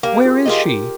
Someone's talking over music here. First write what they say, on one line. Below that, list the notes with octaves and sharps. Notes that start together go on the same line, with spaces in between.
Where is she?
A#3 G4 A#4
F4 G#4
F4 G4 G#4 A#4 D#5
G4 A#4